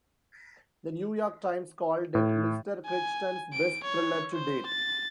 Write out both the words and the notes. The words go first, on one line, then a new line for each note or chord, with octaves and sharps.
The "New York Times" called it "Mr Crichton's best thriller to date".
A2
G#5
D7
C#5
C5
A6